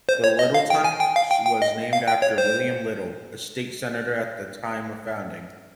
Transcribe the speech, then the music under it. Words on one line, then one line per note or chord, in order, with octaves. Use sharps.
Littleton was named after William Little, a state senator at the time of founding.
C5
C#5
D#5
F5
G5
G#5
G5
F5
G5
G5
D#5
F5
G5
C#5
C5